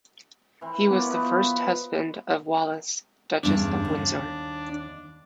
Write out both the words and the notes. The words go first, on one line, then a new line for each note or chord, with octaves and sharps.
He was the first husband of Wallis, Duchess of Windsor.
E3 C4
A#3 B3 C#5 D5
F3 D#4 B4
E2 G2 C#3 D4
D#2